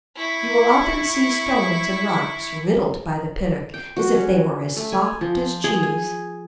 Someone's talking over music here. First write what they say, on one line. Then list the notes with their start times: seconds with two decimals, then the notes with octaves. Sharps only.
You will often see stones and rocks riddled by the Piddock as if they were as soft as cheese.
0.17 E4 C#6
3.74 G5
3.96 F#4
4.15 C#4
4.76 A3
4.92 G#5
5.21 F3
5.64 G#4
5.83 G#5